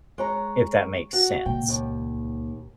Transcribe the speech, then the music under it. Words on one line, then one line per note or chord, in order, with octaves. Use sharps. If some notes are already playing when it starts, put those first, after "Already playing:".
if that makes sense.
G#3 C#5 A#5
F#4
C#2 A#2 G5
D#2